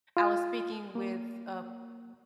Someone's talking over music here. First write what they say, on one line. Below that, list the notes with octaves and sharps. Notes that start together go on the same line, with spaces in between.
I was speaking with a
F4
A#3